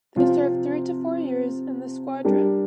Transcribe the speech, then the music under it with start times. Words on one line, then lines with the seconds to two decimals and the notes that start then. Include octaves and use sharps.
They serve three to four years in the squadron.
0.16 C3 F3 C4 F4
2.24 G3 D4 G4 A#4